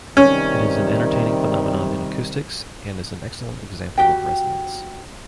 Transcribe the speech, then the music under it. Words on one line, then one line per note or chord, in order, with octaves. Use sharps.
It is an entertaining phenomenon in acoustics and is an excellent example of resonance.
C3 D#3 G3 C#4
F#4 G4 G5